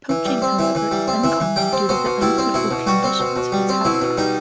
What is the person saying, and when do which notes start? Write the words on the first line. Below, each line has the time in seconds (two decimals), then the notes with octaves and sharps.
Poaching, however, is uncommon due to the unsuitable conditions of its habitat.
0.09 E3
0.25 G3
0.42 C4
0.59 E3 E5
0.75 E3
0.91 G3
1.08 C4
1.23 E3 E5
1.40 E3
1.56 G3 G5
1.73 C4
1.89 B2 C5
2.05 B2
2.22 G3 E4
2.38 C4
2.54 B2 E4
2.71 B2
2.87 G3 F#4
3.04 C4
3.20 B2
3.36 B2
3.52 G3
3.69 C4
3.85 B2 E4
4.02 B2
4.17 G3 D#4